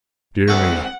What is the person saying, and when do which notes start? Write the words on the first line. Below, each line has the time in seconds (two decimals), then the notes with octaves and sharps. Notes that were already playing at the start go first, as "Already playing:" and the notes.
Dear me!
0.48 D2 G#3 C4 A4 F#5 C#6